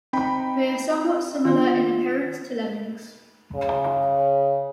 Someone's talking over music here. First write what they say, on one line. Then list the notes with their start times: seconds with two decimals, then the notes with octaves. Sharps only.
They are somewhat similar in appearance to lemmings.
0.13 C4 D#4 G5 B5
1.45 D#3 B3 D4 F4
3.55 C#3